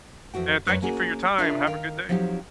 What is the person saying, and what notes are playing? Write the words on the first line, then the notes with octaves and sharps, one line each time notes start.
And thank you for your time. Have a good day.
F2 E3 F#4 G5
F#2 C#4 B4 C#5
A#3 C#4 F#4 G#4
D4 F4 G#4 A#4 D5 E5
D#3 A#4 F5 G5
F3 F#3 C4 D#4 G4